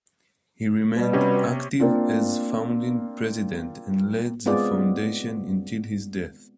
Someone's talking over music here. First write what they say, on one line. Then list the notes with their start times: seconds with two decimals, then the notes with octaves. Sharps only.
He remained active as founding president and led the foundation until his death.
0.96 B2 G3
1.13 C3 C#4
1.80 A#3 C4 D4 F4
4.46 G#3 B3 C4 F4 G#4 D5